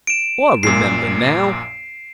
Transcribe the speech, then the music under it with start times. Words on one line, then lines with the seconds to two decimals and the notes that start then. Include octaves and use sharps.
I remember now!
0.07 D7 E7
0.63 A#1 F#2 A#2 C7